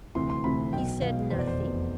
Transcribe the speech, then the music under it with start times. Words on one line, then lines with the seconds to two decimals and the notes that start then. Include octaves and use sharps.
He said nothing.
0.15 D2 C3 E3 C6
0.30 C6
0.44 D2 C3 E3 B5
0.73 B1 B2 G5
1.01 B1 B2 F5
1.30 F1 E2 B2 C5
1.39 D5
1.47 C5
1.60 F1 E2 B2